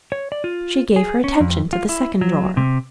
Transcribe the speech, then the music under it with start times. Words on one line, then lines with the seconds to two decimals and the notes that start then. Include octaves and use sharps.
She gave her attention to the second drawer.
0.12 C#5
0.32 D5
0.44 F4
0.96 G#4
1.24 C#4
1.40 F2
1.73 F4
1.89 E4
2.21 F#3
2.57 C3